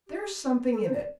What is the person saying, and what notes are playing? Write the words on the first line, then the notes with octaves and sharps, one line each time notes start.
There's something in it.
G4
A4
C5
D5